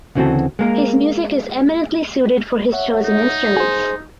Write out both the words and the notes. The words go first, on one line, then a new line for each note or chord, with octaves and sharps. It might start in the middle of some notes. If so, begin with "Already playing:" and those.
His music is eminently suited for his chosen instruments.
D2 C#3 E3 C4 F#4 A4
G#3 A#3 A#4
C#5 E5 F#5
D#4
G#4 C5